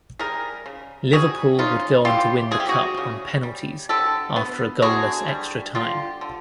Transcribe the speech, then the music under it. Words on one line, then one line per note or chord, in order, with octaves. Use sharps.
Liverpool would go on to win the Cup on penalties after a goalless extra-time.
G3 G#4 A#4
C#3
G3 F#4 G#4
C#3 D#4 F4
E3 F4 G4
G3 G#4
G4
F#4 G#4
C#3
G3
D3 G4 A4
B3
D3 F#4 G#4
G3
D3 F4 G4
D3